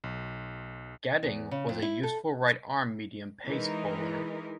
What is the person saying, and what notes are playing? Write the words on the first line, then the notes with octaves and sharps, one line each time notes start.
Gatting was a useful right arm medium pace bowler.
B1
E2
C#3
F2
E4
A4
E3 G#3 D#4 A#4